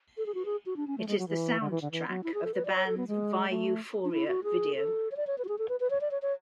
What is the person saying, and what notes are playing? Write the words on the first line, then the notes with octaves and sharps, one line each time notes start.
It is the soundtrack of the band's "Vieuphoria" video.
A4
G#4
F#4
G#4
F#4
D4
C#4
A3
G#3
F#3
E3
D3
E3
D3
E3
F#3
E4
G#4
A4
B4
D5
C#5
A4
B3
G#3
A3
D4
E4
F#4
G#4
A4
C#5
D5
C#5
B4
F#4
G#4
A4
B4
B4
C#5
D5
C#5
C#5